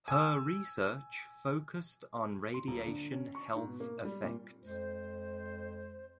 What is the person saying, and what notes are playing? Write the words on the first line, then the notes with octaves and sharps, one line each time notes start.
Her research focused on radiation health effects.
G#5 E6
C6
D#1
D3
C#4
C#6
G#2
B2
A#3
G3
A#2
F2 G#3 C5